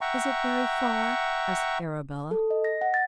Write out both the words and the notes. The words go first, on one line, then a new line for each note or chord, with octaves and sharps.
"Is it very far?" asked Arabella.
E5 F#5 G5 A#5 C#6
A4
D#5
A#6
F#5
A6